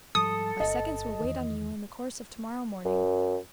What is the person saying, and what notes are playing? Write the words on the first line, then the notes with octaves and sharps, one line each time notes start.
My seconds will wait on you in the course of to-morrow morning.
G#2 F3 G3 A4 D#6
G1 D#5
E2 D#3
F#2